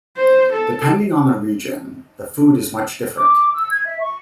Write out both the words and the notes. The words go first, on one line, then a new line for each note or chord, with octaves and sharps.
Depending on the region, the food is much different.
C5
A4
D6
E6
G#6
E5
C#6